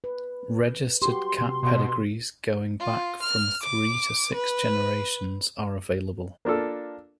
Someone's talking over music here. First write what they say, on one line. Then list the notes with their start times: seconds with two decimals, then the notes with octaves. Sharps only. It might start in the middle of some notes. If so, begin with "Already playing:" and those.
Registered cat pedigrees going back from three to six generations are available.
0.04 B4
1.02 F#4 G4 C6
1.38 C3
1.63 B2
2.80 F4
3.22 F6
3.63 D6
4.34 B4
6.45 A#3 D4 F4 A4